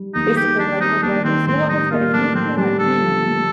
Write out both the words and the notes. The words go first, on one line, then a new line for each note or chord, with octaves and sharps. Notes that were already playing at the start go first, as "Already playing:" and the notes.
"Basically, like the world is yours, but if you feel like you need
Already playing: G3
D#2 D#4
D#3 G4
G3 D4
C4 D#4
D#2 D4
D#3 C4
A2 C4
G3 D#4
A#3 F4
A2 D4
A2 C4
G3 D4
D3 A4
F3
A3